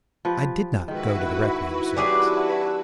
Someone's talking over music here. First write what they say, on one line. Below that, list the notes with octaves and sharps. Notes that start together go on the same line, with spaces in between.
I did not go to the requiem service.
F3 G4 B4
G#2 D#3 E4 F#4 B4
F#3 C4 D4 G4 G#4